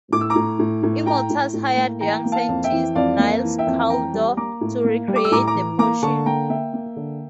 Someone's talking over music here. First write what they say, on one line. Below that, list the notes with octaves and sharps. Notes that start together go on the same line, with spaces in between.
Immortus hired young scientist Niles Caulder to recreate the potion.
A2 D6
E6
A#5 D6
A2
A2
A2
A2 G5 A#5
A2
A2
A#3
E3 G5 A#5
A#3
F5 A5
F2
E5 G5
E3
F2 D5 F5
A#3
E3
E5 G5
F2
E3 G5 A#5
G3
A#3 A#5 D6
A2
A#3
G3
D6
E6
A2 A#5 D6
A#5 D6
E3
A#3 A#5 D6
D3 A5 C#6
A#3 G5 A#5
A#3 E5 G5
A#3
D3